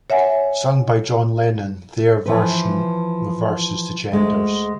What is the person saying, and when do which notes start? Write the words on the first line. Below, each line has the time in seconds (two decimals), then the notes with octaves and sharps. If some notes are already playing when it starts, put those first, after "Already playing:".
Sung by John Lennon, their version reverses the genders.
0.10 C#5 E5 F#5 G#5
2.26 E3 F3 B4
4.12 D2 G#3